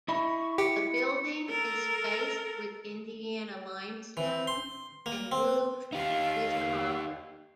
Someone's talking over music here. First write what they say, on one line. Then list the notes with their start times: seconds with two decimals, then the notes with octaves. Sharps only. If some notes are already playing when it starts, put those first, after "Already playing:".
The building is faced with Indiana limestone and roofed with copper.
0.08 E4 D#5 E5 B5 C#6
0.58 G4 C#7
1.48 A4 A#4
4.17 E3
4.47 C6
5.06 A#3
5.32 C4
5.93 D#4 G4 F5